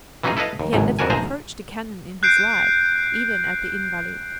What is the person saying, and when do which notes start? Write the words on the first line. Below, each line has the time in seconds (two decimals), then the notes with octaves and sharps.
He had never approached a cannon in his life, even at the Invalides.
0.23 E3 F#3 C#4 D#4 F4 G#4
0.37 E4 A4 B4 D#5 F5
0.60 D#2
0.73 G#1 C#2 F#2 A2
0.99 F2 D4 F#4 A#4 G#5
1.10 B1 F3 A3 G#4 C5 A#5
2.23 F#6 G6 C7 D7